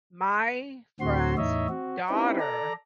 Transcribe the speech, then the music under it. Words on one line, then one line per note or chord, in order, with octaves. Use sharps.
my friend's daughter,
D2 A2 D3 C4 F#4 C6
E2 A2 D#4 C#5 D#5 E5
C4 F#4
C4 C#4 D#4 E4 G4 B4
A4 D5 A#5